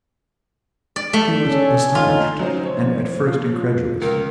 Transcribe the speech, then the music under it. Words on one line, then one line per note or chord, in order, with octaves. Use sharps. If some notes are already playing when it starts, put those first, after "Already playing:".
She was astonished, and at first incredulous.
D5
A3
C#4 A4
D3 D#4 F4
F#3 A3 C#4 D#4 C5
B2 D#3 F3 C5 C#5
A3 A#3 F4
C#2 D3 A#4